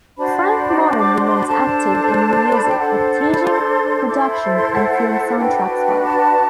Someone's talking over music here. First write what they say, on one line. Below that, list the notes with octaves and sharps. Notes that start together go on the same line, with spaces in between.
Frank Morin remains active in music, with teaching, production, and film soundtracks work.
D4 F#4 C5 B5
D6
C6
C6
B5
D4 A4 C5 A5
C6
B5
A5
G5
D4 A4 C5 F#5
A5
B5
C6
E4 A4 C5 D6
C6
B5
C6
F#5
D4 F#4 B4 G5
A5